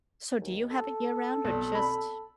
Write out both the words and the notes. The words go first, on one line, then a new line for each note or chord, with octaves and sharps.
so do you have it year round, or just
D#2
A4
B1
B5